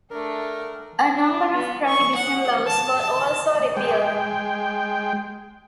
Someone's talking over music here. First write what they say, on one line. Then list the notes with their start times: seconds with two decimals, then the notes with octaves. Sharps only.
A number of prohibition laws were also repealed.
0.11 A3 D4 A#4
1.13 D4
1.55 B3
1.87 C#6
2.15 F#5
2.67 A5
3.00 A5
3.77 G#3 G5